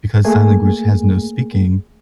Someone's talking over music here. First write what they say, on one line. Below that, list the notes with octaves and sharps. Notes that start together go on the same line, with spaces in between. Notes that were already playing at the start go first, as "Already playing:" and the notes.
because sign language has no speaking,
A3 A#3 G#4 G#5